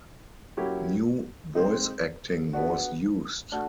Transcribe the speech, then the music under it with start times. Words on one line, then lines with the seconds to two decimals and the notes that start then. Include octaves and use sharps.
New voice acting was used.
0.57 F#3 A#3 C#4 E4 G4
1.55 G#3 C4 D#4
2.53 B3 D4 F#4
3.52 A3 D4 F#4